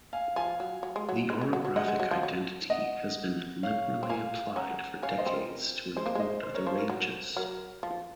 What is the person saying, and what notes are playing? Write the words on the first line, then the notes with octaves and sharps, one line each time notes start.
The orographic identity has been liberally applied for decades to include other ranges.
F5 G#5
F3 F5 G#5
F#3
F#3
G#3
F#3
G#3
G#3
F#3
F#3
G#3 D#5 F#5
G#3
F#3
F3
F#3
D#5 F#5
C#5 F5
C4
A#3 F5 G#5
C#4 F#5 A#5
C#4 F5 G#5
C5 D#5
C4
A#4
G#3 C5
A#3
G#3 C5 D#5
C5
A#4 C#5
F3 C5
A#4
F#3
F#3 A#4
F3